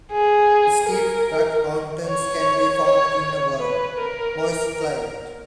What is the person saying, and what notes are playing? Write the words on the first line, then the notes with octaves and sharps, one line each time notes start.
Steep, rugged mountains can be found in a warm, moist climate.
G#4
A#4
C#5
C#5
C#5
B4
A#4